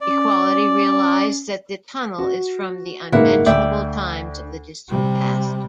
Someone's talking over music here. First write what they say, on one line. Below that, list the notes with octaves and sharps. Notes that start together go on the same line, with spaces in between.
Equality realized that the tunnel is from the Unmentionable Times of the distant past.
C#4 D5
F#4
F#1 G#2 A#3 E4 F#5
D2 D5 E5 G5
C3 G3